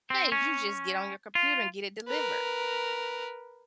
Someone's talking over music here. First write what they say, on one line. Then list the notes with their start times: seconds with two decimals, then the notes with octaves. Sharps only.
hey, you just get on your computer and get it delivered.
0.10 C4
0.32 C#4
1.35 F4
2.08 A#4 B4